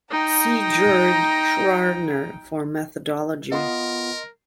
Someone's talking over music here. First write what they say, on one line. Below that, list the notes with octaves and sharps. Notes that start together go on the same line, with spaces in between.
See Gerd Schraner for methodology.
D#4 G5 A#5
B3 F4 A#4 B4 D#5 C6